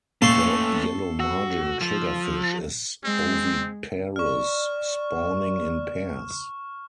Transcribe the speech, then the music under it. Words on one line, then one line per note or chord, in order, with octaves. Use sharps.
The yellowmargin triggerfish is oviparous, spawning in pairs.
A3 A#3 C#4 A4 C6 C#6
F#4 E6
F3
G#3 C4
D5 C#6 F6